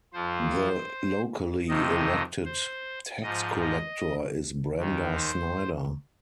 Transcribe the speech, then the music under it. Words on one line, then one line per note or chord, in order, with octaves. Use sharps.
The locally elected tax collector is Brenda Snyder.
F2 F3 C5
F2 C3 D#3 D#5
C5
G#2 F3 D#5
D#5
D#2 D#3
C5